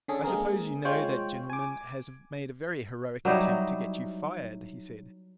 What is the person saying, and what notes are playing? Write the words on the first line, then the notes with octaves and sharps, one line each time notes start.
"I suppose you know that gentleman has made a very heroic attempt to get you fired," he said.
D3 C#4 G#4 A4
G#3 A#3 C4 G#4 A#4
G#3 F4 C5 C#5 G5
G#5 D6
F#3 G3 D#4 E4